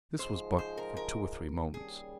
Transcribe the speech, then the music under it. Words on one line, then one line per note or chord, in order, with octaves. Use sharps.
This was but for two or three moments.
G#2 F3 G#3 C5
C5
A#4
A#4
D#2 C#3 G3 G#4